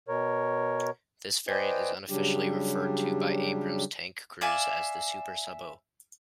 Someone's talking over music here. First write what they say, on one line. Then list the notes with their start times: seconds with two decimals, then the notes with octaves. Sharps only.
This variant is unofficially referred to by Abrams tank crews as the "super sabot".
0.08 B2 A#4 C#5
1.47 B4 C5 D5 D#5 G5 G#5
2.09 C#3 F#3 G3 D4 G4
4.41 D5 E5 F5 G#5